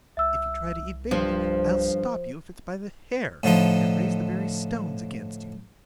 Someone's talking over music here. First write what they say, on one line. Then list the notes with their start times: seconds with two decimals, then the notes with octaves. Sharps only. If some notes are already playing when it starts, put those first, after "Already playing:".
If you try to evade me, I'll stop you, if it's by the hair, and raise the very stones against you!'
0.17 C2 E5 E6
1.11 G2 F3 C5
3.43 A2 D3 F3 D#4